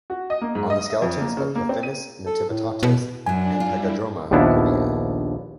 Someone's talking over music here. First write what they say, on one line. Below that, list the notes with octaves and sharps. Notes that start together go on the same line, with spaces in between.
On the skeletons of Puffinus nativitatus and Pagodroma nivea.
F#4
D#5
A#3
G#2
D#5
E5
F2
A#3
C#3
A#3
C4
D#7
A4
A2
B2
F#2 F#3 D4 G#5
G3 E4 F4
A#1 D#2 F3 B3 D4 E4